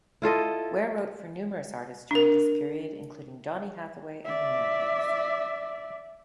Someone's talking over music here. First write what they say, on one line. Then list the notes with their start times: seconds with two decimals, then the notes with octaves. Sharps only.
Ware wrote for numerous artists during this period including Donny Hathaway and The Miracles.
0.22 E4 F4 A4 D#5
2.11 D4 A#4
4.25 D5 E5